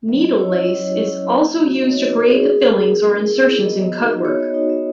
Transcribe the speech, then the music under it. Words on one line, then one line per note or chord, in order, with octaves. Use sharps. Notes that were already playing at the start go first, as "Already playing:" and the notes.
Needle lace is also used to create the fillings or insertions in cutwork.
F#3 E5
D#5
C#4 E4 C#5
D#5
F#3 E5
C#4 E4
A#3
D#4 F#4
D#5
A#3 C#5
B4
D#4 F#4 A#4
G#4
G#4
A#3 A#4
C#4 E4
A#3
C#4 E4
B3 D#5
E5
D#4 F#4 E5
E5
B3 C#5
D#5
D#4 F#4 D#5
E5